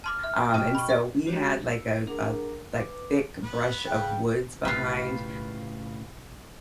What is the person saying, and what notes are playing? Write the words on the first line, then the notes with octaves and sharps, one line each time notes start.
um, and so we had like a a like thick brush of woods behind
A5 C6 D6 F6
E5
D6
B2 G5 A5 D#6 F6
B5 C#6
D5 F5 C#6
G#3 D4 F#4 G4 C#5
E6
D4 G#4 A#4 F#5 A#5
B4 D6
B3 B4 F#5
C#3 G5
B1 A2 C#3 F4 G4 B4